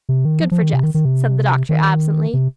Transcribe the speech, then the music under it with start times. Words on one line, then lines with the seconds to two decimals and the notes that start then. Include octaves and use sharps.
"Good for Jess," said the doctor absently.
0.09 C3
0.25 D#3
0.41 F3
0.51 F3
0.63 D#3
0.73 C3
0.83 D#3
0.94 D#3
1.05 C3
1.69 D#3
2.34 C3